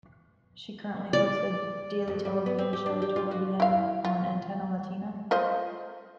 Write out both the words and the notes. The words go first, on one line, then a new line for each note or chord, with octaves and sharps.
She currently hosts a daily television show "Todo Bien" on Antena Latina.
D5
F2
G3
B3
C4
G4
D4
G4
F4
F#4
E4 F5
F4
F4 C5 D#5